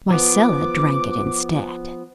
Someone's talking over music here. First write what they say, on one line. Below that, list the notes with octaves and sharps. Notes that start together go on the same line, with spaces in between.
Marcella drank it instead.
F3 B3 D6